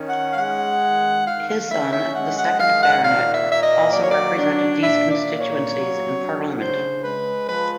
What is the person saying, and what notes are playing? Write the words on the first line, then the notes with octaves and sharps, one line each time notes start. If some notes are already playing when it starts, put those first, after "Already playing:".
His son, the second Baronet, also represented these constituencies in Parliament.
Already playing: D#3 C#4
F#5
F5
G#3 F#5
D#3
D#3 F5
F5
C#4 E5
E5
G#3 F#5
F#5
D#3 F5
F#5
A#2 F5
E5
A#3 E5
D#5
F#3 D5
C#5
D5
D4
A#2 E5
D5
A#3
C#5
F#3
D4
C#3 C5
G#3 B4
F3 B4